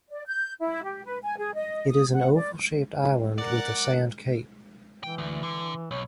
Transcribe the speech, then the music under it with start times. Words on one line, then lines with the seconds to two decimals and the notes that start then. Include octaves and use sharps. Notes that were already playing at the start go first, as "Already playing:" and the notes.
It is an oval-shaped island with a sand cape.
0.09 D5
0.26 G6
0.59 E4
0.83 G4
1.05 B4
1.23 G#5
1.37 G#4
1.54 D#5
1.91 D#6
2.13 F#5
2.37 D5
3.38 A#4 D5 F#5 F#6
5.03 E3 G5
5.18 D2
5.43 D3
5.91 B1 C#5